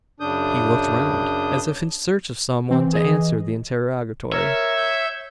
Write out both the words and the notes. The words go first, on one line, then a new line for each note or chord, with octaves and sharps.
He looked round, as if in search of some one to answer the interrogatory.
F#2 C#3 D4 D#6 G6
E3 C4
G#4 D#5
A#4 C#5 E5
E6 G6